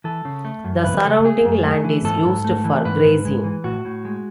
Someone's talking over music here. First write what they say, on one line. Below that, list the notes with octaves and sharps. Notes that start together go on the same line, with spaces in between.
The surrounding land is used for grazing.
E3 A4
C#3
A3
F#2
E3 B4
C#3 A4
A3 G#4
F#2
A3
E3
G#2 A4
G#2
A3
E3
G#2 B4
G#2
G#3
E3
A2 F#4
A2
G#3